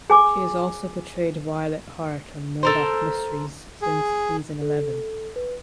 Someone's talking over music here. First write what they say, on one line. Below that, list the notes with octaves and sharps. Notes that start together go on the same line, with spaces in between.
She has also portrayed Violet Hart on Murdoch Mysteries since season eleven.
G#4 G#5 D6
A4 A#4 C5
G#4
A4
B4